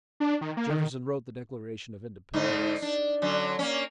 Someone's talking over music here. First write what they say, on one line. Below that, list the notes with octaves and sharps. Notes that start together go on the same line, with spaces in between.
Jefferson wrote the Declaration of Independence.
D4
D#3
A#3
D#3
G#2 D3 D#4
D4
D3 F#3 C#4
A#3 C#4